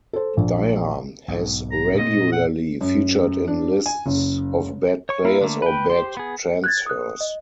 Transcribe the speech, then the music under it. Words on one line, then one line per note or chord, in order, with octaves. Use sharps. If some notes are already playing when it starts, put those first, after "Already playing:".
Dia has regularly featured in lists of bad players or bad transfers.
A4 C5
A#1
B1 G#2
A#5
A#2 C4 D#5
F#5
F#2
D4
G#5
F#1
C#5 C#6
A#3 E4 A#4
D3 A3 A#3
B4 G5
G4 C5 C6
B3 G#4
F#6 G#6 A6
D#6 F#6
D#5